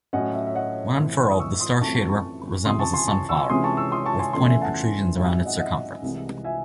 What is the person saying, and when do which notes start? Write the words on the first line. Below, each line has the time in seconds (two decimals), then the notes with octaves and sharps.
When unfurled, the starshade resembles a sunflower, with pointed protrusions around its circumference.
0.13 A2 F#3 C#4 D#5 F#5
0.34 E5
0.47 E5
0.55 D#5 F#5
0.97 A2 E3 C4
1.30 D#6
1.39 C#6 E6
1.60 C6 D#6
1.81 F#2 E3 A3 C4 A5 C#6
1.95 A5 C#6
2.09 A5 C#6
2.65 C#2 C3 E3 C6 D#6
2.79 A5 C#6
2.94 G#5 C6
3.08 A5 C#6
3.29 C#6 E6
3.50 C3 E3 G#3 C#4 C6 D#6
3.64 A5 C#6
3.77 C#6 E6
3.92 C6 D#6
4.06 A5 C#6
4.20 G#5 C6
4.33 E2 C#3 E3 A3 G#5 C6
4.48 E5 G#5
4.62 F#5 A5
5.18 G#2 F#3 C4 D#4 E5 G#5
5.32 E5
5.46 D#5 F#5
5.56 E5
5.60 D#5 F#5
6.02 C2 C3 E3 G#3
6.44 E5 G#5